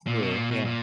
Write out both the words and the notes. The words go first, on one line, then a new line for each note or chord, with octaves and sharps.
True, yeah.
A#2
B2
A#2
B2
A#2